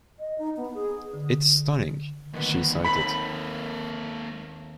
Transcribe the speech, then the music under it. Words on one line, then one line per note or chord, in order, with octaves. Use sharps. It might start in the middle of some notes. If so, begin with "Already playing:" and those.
"It's stunning," she cited.
D#5
D#4
B3
G#4
D3
D2 A#2 D#3 B3
D#2 A#3 C4 D#4 A4 B5